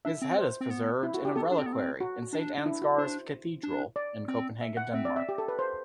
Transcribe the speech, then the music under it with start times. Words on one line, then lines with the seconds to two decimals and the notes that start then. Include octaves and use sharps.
His head is preserved in a reliquary in Saint Ansgar's Cathedral in Copenhagen, Denmark.
0.05 D4 E5
0.22 C4
0.38 C5
0.61 C4
0.71 B3
1.03 E4
1.14 F#4
1.25 G4
1.35 B3 A4
1.51 D4
1.58 C4
1.66 B3
1.73 C4
2.01 F#4
2.33 D4
2.58 D4
2.66 E4
2.82 F#4
2.98 D4 C5
3.63 D4
3.96 D5
4.28 C4
4.61 E5
4.77 F#5
4.93 C4 E5
5.05 D5
5.16 E5
5.29 G4
5.38 A4
5.48 B4
5.59 C5